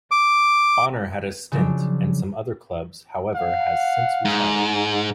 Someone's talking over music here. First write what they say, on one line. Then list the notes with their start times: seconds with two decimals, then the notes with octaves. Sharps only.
Bonner had a stint and some other clubs however has since retired.
0.11 D6
1.52 C#3 F3 F#3 D4
3.35 F5 F#5
4.25 G#2